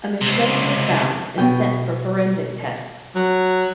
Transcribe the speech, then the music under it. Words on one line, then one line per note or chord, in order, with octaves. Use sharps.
A machete was found and sent for forensic tests.
C#2 C3
B2 G5
F#3